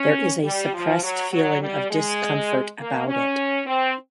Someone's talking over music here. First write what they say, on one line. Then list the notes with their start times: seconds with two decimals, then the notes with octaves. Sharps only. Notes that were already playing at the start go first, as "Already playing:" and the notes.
There is a suppressed feeling of discomfort about it.
Already playing: C#4
0.43 G3
0.72 F3
1.02 F#3
1.31 F#3
1.60 G3
1.90 G#3
2.78 A#3
3.07 C#4
3.65 C4